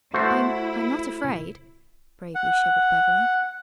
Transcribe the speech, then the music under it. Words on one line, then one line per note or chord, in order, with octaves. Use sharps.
"I'm--I'm not afraid," bravely shivered Beverly.
A3 E4 F#4 C5
F#5